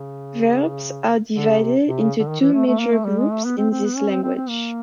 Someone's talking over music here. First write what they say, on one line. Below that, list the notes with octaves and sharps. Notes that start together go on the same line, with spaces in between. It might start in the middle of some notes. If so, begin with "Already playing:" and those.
Verbs are divided into two major groups in this language.
Already playing: C#3
D3
C#3
C3
C3
C#3
D3
D#3
E3
A3
A3
A#3
A3
G3
G#3
A3
B3
C4
C4
B3
C#4
C4
C4
C4
A#3